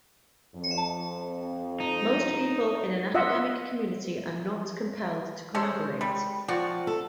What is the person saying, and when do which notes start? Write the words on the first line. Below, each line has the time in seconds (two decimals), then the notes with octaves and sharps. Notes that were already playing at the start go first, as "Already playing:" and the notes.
Most people in an academic community are not compelled to collaborate.
0.56 F2
1.80 D#4
3.14 F4 D#5 E5 F#5
5.55 G#3 C#4 A4 C5
6.01 G3
6.48 F3 C4 F#4 D5
6.87 A4